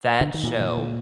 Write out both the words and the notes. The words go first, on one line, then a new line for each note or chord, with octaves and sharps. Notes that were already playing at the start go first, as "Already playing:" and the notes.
That show,
D3
D#3
A#2 E3
D#3 F3
D3 E3